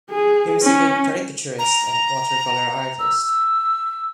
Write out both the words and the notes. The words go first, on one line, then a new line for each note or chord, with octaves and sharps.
He was a good caricaturist and watercolour artist.
G#4
C#4
A#5
E6